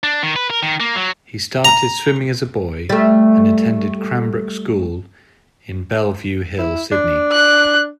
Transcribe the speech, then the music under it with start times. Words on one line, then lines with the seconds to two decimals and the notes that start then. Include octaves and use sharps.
He started swimming as a boy and attended Cranbrook School in Bellevue Hill, Sydney.
0.03 D4
0.23 D#3
0.36 B4
0.50 A#4
0.63 D#3
0.80 A#3
0.96 F#3
1.65 A#5
2.89 G3 A3
6.59 E4
6.92 D4
7.32 F#6